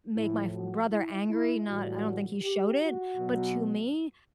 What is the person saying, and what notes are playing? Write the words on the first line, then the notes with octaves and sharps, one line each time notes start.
make my f brother angry, not I don't think he showed it, but to me,
A2 F3 E4
F#4
E4
E4
A2 E3 G3 F#4
G4
F#4
B2 F#3